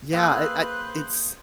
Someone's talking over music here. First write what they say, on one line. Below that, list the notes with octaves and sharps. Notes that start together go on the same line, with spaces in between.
Yeah, it I it's
A#3 G#4 B4 C5 F5 G5 E6 F#6